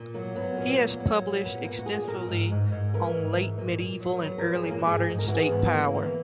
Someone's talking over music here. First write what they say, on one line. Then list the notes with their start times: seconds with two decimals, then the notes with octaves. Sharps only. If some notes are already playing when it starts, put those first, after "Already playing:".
He has published extensively on late medieval and early modern state power.
Already playing: A#2
0.14 F#3 A#3
0.36 F#3 B3
0.57 A#2 C#4
0.79 F#3 A#3
1.00 F#3 A#3
1.21 A#2
1.44 A#2 B3
1.64 A#2 A#3
1.79 F#4
1.86 A#2 G#4
2.07 A#2 A#4
2.29 G#2
2.51 G#2
2.72 G#2
2.94 E3 A#4
3.14 G#2
3.37 G#2
3.58 A#2
3.79 A#2
4.00 F#3
4.13 A#4
4.22 F#3 B4
4.38 A#4
4.44 F#3
4.55 G#4
4.66 A#2
4.71 A#3
4.86 G#2 G#4
5.08 G#2
5.19 A#4
5.28 E3 F#4
5.35 G#4
5.51 G#2 B3
5.73 E3 A#3
5.94 E3 A#3